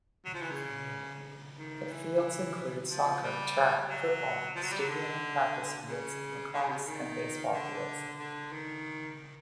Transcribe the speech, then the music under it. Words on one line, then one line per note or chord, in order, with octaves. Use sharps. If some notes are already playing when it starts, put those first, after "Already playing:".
The fields include soccer, track, football stadium and practice fields, lacrosse, and baseball fields.
F#3
F3
E3
C#3
D#3
E3
F3
G3
F#3
F3
F#3
G3
F#3
D3
C#3
D3
C#3
C3
C#3
D#3
D3
D3
D#3